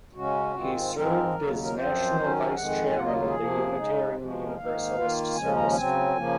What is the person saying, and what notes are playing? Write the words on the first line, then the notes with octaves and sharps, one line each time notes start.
He served as national vice chairman of the Unitarian Universalist Service Committee.
C#3 G#3 C#4 F#4
G#2 D#3 G#3 C4 F4
G#2 F3 G#3 C4 A#4
D#2 C#3 F#3
A#4
F#2 F3 C4 F4 C5
D#3 F#3 C#4
F2 D#3 G#3 F#5
G#5
D#2 C#3 F#3 A#3 F4 F#5
D#5
G#4
C3 F3 A#3
C#3 G#3 D#4
C3 F3 G#3
F#4
F4
F#4
A#4
G#2 D#3 A#3 D#4 F5
D#3 A#3 F4
D#2 C#3 F3 G#3 C#4 G#5
A#5
C#3 F#3 C4 G#5
C#3 F3 A#3